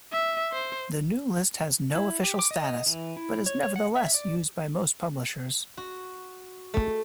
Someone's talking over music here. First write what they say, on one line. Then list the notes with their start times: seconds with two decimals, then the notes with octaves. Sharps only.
The new list has no official status, but is nevertheless used by most publishers.
0.13 E5
0.53 C5
1.96 E4
2.24 G4
2.39 D6
2.51 D#5
2.86 E3
3.17 E4
3.46 C#5
3.63 C#5
3.76 F#5
3.96 E5
4.14 D5
5.77 F#4
6.74 A3